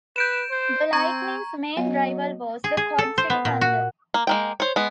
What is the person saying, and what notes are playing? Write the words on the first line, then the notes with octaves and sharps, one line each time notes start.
The Lightning's main rival was the Quad City Thunder.
B4 G6 D7 E7
C5
C4 A#5 C#6 G#6
F#3 B3 D#5
G#4
G#4
A4
C5
B3
A#2
F#4
A#3
G#3 A#3 G5
C5 C#5
G#3 B3